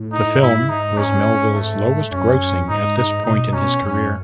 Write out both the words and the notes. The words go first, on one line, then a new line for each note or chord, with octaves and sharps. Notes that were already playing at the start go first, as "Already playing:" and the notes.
The film was Melville's lowest grossing at this point in his career.
Already playing: A2
D#4
G#2 E4
D#4
G#2 C#4
A3
F#2 C#4
G#2 D#4
D#4
B2 D#4
C#4
F#2 C#4